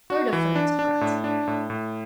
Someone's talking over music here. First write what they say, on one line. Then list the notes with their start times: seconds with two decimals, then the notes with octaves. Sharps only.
Third affirmative grunt.
0.10 F#4
0.33 E3
0.55 D4
0.79 D4
1.01 A2
1.24 D4
1.47 A2
1.70 A2